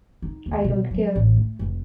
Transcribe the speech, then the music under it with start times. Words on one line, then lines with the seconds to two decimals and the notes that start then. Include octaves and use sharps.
I don't care.
0.22 D#4
0.46 D#2
0.64 B2
0.91 F#3
1.16 A1
1.36 A3
1.59 F1